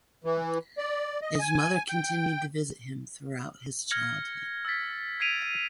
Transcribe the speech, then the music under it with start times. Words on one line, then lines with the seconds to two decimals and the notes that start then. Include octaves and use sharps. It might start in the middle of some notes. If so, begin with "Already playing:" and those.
His mother continued to visit him throughout his childhood.
0.24 E3
0.78 D5
1.22 D#5
1.39 G#5
1.88 G5
3.91 F6 G#6 A#6 C#7
4.65 E6 F6 A6 B6
5.20 G#6 B6 C7 D7 D#7 F7